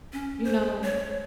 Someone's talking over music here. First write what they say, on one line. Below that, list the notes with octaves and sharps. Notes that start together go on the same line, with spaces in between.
You know
C#4
C5
C#5